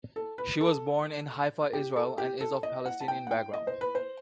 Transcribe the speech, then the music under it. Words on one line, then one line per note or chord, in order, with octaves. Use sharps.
She was born in Haifa, Israel and is of Palestinian background.
A4
B4
A4
G4
A4
G4
A4
D#5
F#5
A5
G5
F#5
G5
D#5
C5
B4
C5